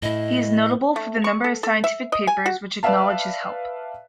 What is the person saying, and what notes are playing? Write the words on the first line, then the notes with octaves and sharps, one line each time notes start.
He is notable for the number of scientific papers which acknowledge his help.
A2 E4 D#5
A3
C#6
A4
A4
E5
D#5
G#5
F#4
B4 D5 E5 F5 A5